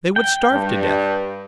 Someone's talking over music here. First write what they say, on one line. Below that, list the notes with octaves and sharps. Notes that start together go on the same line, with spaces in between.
They would starve to death.
G5
G2